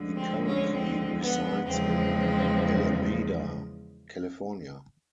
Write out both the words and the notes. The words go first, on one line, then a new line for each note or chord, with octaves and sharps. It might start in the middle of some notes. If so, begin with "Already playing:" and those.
He currently resides in Alameda, California.
Already playing: D2 D3 F3 G#3
C4
C#4
C4
B3
E2 C#3 F3 G#3 C4